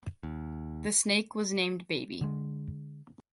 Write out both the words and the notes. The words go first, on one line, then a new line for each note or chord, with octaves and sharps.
The snake was named Baby.
D#2
D3 G#3